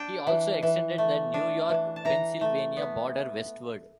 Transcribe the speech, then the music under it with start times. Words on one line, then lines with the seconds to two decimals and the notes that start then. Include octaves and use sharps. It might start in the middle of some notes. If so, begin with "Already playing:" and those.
He also extended the New York - Pennsylvania border westward.
Already playing: D4 G5
0.27 E3
0.63 E3
0.98 A3
1.34 D4
1.69 E3
1.96 A5
2.05 E3 A#5
2.41 A3
2.77 B3